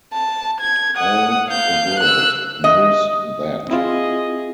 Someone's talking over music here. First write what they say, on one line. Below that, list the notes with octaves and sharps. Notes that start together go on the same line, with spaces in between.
All the world knows that.
A5
G#6
F#5 D#6
F5 G6
E6 F#6
D#5
C4 E4 F4 G#4 D#5